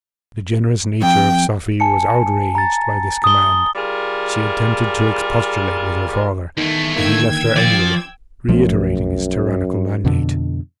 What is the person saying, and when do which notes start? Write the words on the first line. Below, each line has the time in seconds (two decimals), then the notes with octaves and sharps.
The generous nature of Safie was outraged by this command; she attempted to expostulate with her father, but he left her angrily, reiterating his tyrannical mandate.
1.02 F2 G5
1.80 G#5 A5 C#7
2.55 A#5 A6
3.24 D#6 G7
3.75 G3 F4 G#4 A#4
6.57 E2 D#3 A3
6.96 D3 D#3 A#3 G5 E6 G#6
7.56 F3 D5
8.49 B1 F#2 F3 A3
10.05 F2 B2 D3